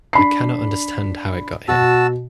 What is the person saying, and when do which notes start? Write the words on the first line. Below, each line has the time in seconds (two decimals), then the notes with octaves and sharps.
I cannot understand how it got here.
0.13 D4 B5 C7
1.68 B2 F#4 A5 E6